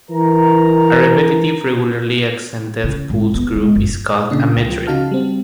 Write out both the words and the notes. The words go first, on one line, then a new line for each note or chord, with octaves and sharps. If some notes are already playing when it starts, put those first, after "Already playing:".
A repetitive, regularly accented pulse-group is called a metre.
E3 A#4 A#5
C#3
G#1
B3
G#3
F#1
A#2 C#3 D4
C#2 G5
F3
C#3 D#4 F#4 F5 A5 F6
G3 C4